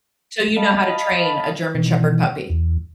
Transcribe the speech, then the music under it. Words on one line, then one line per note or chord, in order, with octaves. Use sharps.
So, you know how to train a German Shepherd puppy?
D#5 F5 A5 B5
B2 D#3 E3
E2